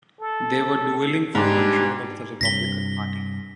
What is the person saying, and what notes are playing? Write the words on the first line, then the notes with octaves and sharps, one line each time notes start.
They were dueling for control of the Republican Party.
A4
G#2 G3 D4 G#5
G2 C3 A#6 B6 G7